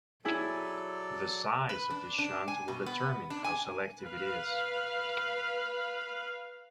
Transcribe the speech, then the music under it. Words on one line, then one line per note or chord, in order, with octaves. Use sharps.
The size of this shunt will determine how selective it is.
F#3 E4 G#4 A4 D5 G#5
B4
D4
D4
G#5
B2
B3
D4
G#5
B4 F5